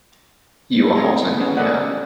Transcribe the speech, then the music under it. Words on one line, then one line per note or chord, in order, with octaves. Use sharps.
You are hot in here!
E4
A3 C4 G#4 A#5
B3 C#4
G4 A4 A#4 D5 D#5 F#5